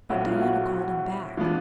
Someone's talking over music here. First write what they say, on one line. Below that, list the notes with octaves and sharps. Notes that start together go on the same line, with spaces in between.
But Diana called him back.
A#1 A2 F#3 B3 E4 F#4 F#5
F4 F5
F#4 F#5
E3 G#3 B3 D4 F4 F5